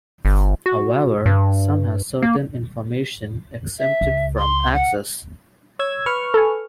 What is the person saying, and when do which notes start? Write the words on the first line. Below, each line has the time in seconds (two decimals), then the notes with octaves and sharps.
However some have certain information exempted from access.
0.25 G1
0.66 F#4
1.26 G2
2.22 A#3
3.79 E5
4.01 C#2
4.38 C6
4.74 F#5
5.79 C#5 E6 G#6
6.06 B4 C#6 F6
6.34 A4 G#5